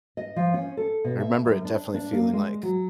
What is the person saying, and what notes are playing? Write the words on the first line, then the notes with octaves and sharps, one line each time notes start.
I remember it definitely feeling like,
D#5
F3
C#4
A4
B2
E5
F#2
D4
D4
A#3
G#3
F#3